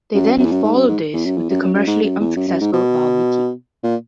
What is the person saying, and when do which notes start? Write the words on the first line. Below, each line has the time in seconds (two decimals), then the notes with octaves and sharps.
They then followed this with the commercially unsuccessful Valmiki.
0.14 F#2
0.39 F#2
0.45 E2
0.51 F#2
0.63 G#2
0.75 F#2
0.88 G#2
1.13 E2
1.25 F#2
1.37 E2
1.50 F#2
1.62 F#2
1.74 F#2
1.87 G#2
2.03 F#2
2.20 E2
2.36 F#2
2.48 F#2
2.61 G#2
2.73 B2
3.84 A#2